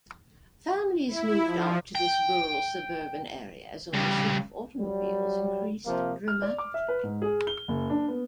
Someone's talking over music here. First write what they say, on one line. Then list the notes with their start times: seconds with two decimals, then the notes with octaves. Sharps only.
Families moved out to this rural suburban area as ownership of automobiles increased dramatically.
1.08 E4
1.45 F3
1.95 G5
3.94 C#3 G3
4.79 F#3 G3
5.86 C3 F3 A#3
6.28 F6
6.42 D5
6.58 D6
6.74 E5
6.88 B4
7.03 G#2
7.22 G#4
7.47 G7
7.68 F#1
7.90 D4
8.08 B3